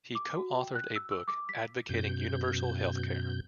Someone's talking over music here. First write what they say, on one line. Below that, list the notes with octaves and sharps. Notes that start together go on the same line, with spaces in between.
He co-authored a book advocating universal health care.
D6
F#4
G5
F#6
E6
E6
D6
B6
F#2 B2 G6